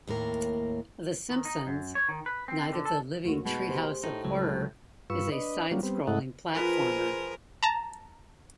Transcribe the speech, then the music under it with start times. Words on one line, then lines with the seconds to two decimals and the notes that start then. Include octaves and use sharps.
"The Simpsons: Night of the Living Treehouse of Horror" is a side-scrolling platformer.
0.07 D#2 A2 A#3 A#4
1.30 D#3
1.45 D#4
1.67 F#2
1.95 C#5
2.09 D#3
2.26 B4
2.48 C4
2.73 D3
2.85 A4
3.24 D#2 A3 F#4
3.45 B2 G#3 D#4
3.69 G4 G#4 C5
4.04 A2 D#4
4.25 C#2 F#3
5.10 G2 F4 B4 C#6 E6
5.32 D4 B4 D#5
5.71 F#3 G3 A#3 C#4 D4 F4
5.83 G3 B3 C4
6.07 G#2 A3 E4 A4 D#5 F#5
6.53 F3 G#4 A#4 B4
7.63 A5 A#5